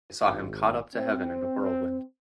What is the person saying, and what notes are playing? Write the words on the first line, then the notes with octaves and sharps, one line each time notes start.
They saw him caught up to heaven in a whirlwind.
G#1
C4